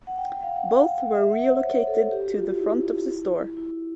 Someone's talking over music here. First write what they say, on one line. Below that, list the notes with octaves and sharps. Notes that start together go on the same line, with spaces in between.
Both were relocated to the front of the store.
F#5
G5
F5
F#5
F5
E5
F#5
C5
C#5
A4
G4
F#4
F4
E4
E4